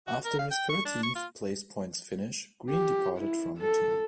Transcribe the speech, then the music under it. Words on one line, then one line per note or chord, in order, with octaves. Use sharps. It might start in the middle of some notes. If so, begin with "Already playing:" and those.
After his thirteenth-place points finish, Green departed from the team.
F#4
A#4
F5
G5
C#6
D4
C#6
F4
G4
E4
A4